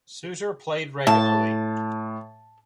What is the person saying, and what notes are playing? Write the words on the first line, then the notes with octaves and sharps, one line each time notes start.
Suter played regularly.
A2 A5